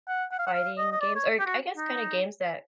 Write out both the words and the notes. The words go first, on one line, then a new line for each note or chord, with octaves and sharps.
fighting games or I guess kinda games that
F#5
F#5
F5
F#5
F5
D#5
D#5
D5
C#5
G4
F#4
D#4